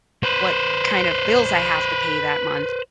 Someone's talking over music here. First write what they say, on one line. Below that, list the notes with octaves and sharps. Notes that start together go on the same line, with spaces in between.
what kind of bills I have to pay that month,
B4 C5